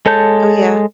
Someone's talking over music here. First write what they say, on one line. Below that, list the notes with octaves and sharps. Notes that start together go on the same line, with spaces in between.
Oh yeah.
G#3 A4 C#5 A5 G6